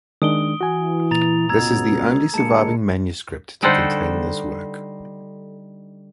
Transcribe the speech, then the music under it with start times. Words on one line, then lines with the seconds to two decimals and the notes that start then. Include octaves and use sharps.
This is the only surviving manuscript to contain this work.
0.22 D#3 G#3 D4 D#6 D7 G7
0.61 E3 F#4 G#5
1.11 A#2 A#5 A6 F7
1.49 C#2 B2 A#5 E6 G#6
2.34 D2 G#3 A#3 A5 C#7
3.62 D3 G3 D#4 A4 C5 F#5